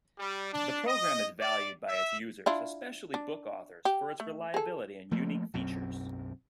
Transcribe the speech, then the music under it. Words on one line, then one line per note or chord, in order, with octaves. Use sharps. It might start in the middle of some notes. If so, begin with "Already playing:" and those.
The program is valued by its users-especially book authors-for its reliability and unique features.
G3
D4
D#5
D5
E5
D4 E4 F4
D4
G4
A3
G#4 A4
F3 A3 A#3
B1 F#2 C4